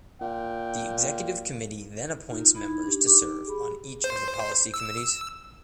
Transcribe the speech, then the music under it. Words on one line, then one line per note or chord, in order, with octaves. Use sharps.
The Executive Committee then appoints members to serve on each of the policy committees.
A#2 G5
D#4 F4
D#4 E4
D4 G4
D#4 G4 D6
G#4 B5
C5
E6